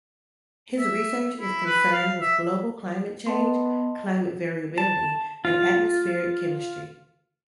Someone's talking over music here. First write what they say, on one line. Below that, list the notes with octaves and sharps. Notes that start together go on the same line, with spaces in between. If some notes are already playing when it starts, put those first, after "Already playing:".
His research is concerned with global climate change, climate variability, and atmospheric chemistry.
E5
E4
B4
F5
E5
B3 D#5 A5 C6
A5
F4